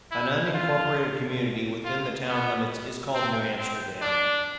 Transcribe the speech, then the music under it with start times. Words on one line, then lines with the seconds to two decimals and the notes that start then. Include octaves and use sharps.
An unincorporated community within the town limits is called New Amsterdam.
0.11 E4
0.55 F4
1.85 F4
2.28 B3
3.15 C4
3.58 C4
4.02 D4